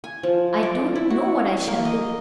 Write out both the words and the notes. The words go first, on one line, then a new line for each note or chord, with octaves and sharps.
I don't know what I shall do.
G#5
F3
D5
E4
F#4
A#3
D#5